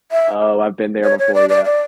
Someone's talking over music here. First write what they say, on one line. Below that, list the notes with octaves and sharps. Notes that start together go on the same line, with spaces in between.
Oh, I've been there before, yeah.
E5
C#5
C#5
D5
D5
D5